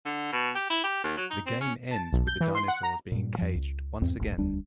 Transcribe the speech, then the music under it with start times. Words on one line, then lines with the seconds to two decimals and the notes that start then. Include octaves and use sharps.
The game ends with the dinosaurs being caged once again.
0.05 D3
0.32 B2
0.55 G4
0.70 E4
0.83 G4
1.04 D#2
1.17 F#3
1.30 D#4
1.46 C4
1.61 C#4
1.91 A5
2.13 B1
2.27 G6
2.41 E3
2.55 C6
2.68 F#5
2.83 A#5
3.12 G2 A#2
3.38 F2 F3
3.55 C#2
4.02 E2 G#2 C4
4.18 D#1 A#1 A2
4.37 E1 D2 G3 D4